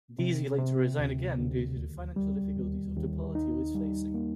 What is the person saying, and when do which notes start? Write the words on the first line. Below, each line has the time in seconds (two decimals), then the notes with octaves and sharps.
Deasy later resigned again due to the financial difficulties of the party was facing.
0.19 C3
0.58 C3
0.99 D2
1.38 D2
1.77 D#2
2.16 G3
2.56 D#2
2.96 D#2
3.35 D#4
3.75 G3
4.14 A#3